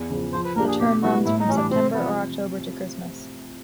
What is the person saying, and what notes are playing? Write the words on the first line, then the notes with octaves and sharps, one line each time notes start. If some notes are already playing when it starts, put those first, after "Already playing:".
The term runs from September or October to Christmas.
Already playing: E2
C#3 F3
F3 C5
B4
A#3 D4 G4 A#4
G#4
B2 G4
G3 B3 E4 F#4
A2 E4
D#4
E3 G3 C#4 D4
C3 C4
F3 B3